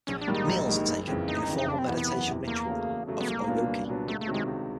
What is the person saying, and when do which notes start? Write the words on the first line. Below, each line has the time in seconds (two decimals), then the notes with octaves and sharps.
Meals are taken in a formal meditation ritual of oryoki.
0.07 A#1 C#4
0.21 D4
0.27 G#2 D#3 G3 A#3
0.34 D#4
0.48 A#1
0.67 G#2 D#3 G3 A#3
0.88 F#1
1.07 F2 C#3 E3
1.28 F#1 D#4
1.48 F2 C#3 E3
1.58 D#4
1.68 F#1 D4
1.78 C4
1.87 E2 C3 E3 B3
1.98 B3
2.07 F#1
2.28 E2 C3 E3
2.47 E2 A#3
2.68 C#3 F#3 A3
2.88 E2
3.07 C#3 F#3 A3
3.21 B3
3.28 C2 A#3
3.48 A#2 F#3 B3 D4
3.68 C2
3.87 A#2 F#3 B3 D4
4.07 C#2 A3
4.21 A3
4.27 C3 D#3 F#3
4.34 G#3
4.47 C#2